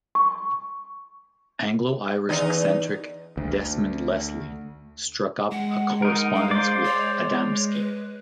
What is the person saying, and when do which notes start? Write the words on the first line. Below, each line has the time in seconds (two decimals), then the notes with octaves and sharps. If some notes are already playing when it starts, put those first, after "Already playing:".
Anglo-Irish eccentric Desmond Leslie struck up a correspondence with Adamski.
0.15 C#6
2.29 E2 D#4
3.37 D2
5.52 G#3 F#5
6.02 D#4 A#4
6.35 F5
6.51 C5 D5
6.84 C#5
7.73 B4